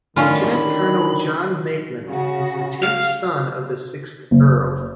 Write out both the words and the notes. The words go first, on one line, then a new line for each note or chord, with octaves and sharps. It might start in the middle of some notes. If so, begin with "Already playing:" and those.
Lieutenant-Colonel John Maitland was the tenth son of the sixth Earl.
F2 A2 D3 D#3 C#4 E4 F4
B5
C#3 F#4
F5
F#1